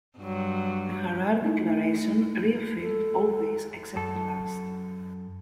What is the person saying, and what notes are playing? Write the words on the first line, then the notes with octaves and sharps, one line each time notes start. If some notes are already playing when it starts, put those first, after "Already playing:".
The Harare Declaration reaffirmed all these except the last.
G2 F#3
A3 D#4 E4
A4
F#2 A4